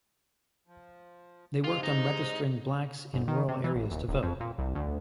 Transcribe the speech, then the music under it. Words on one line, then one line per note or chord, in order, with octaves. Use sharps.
They worked on registering blacks in rural areas to vote.
F3
G#2 C3 G#3 F4
D#4
G1
D#3
C3
E3
A1
D#1
D#1
F2
A#2
C2
D2